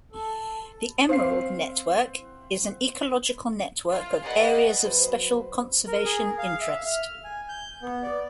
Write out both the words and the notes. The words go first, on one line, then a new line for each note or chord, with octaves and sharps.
The Emerald Network is an ecological network of Areas of Special Conservation Interest.
A4
C4 F5 C7
F4
G#4 B4 D5 D#5 F#5
F#2 B4 C5
A#4
G#4
F5
E5
F6
G#5
G6
B3
D5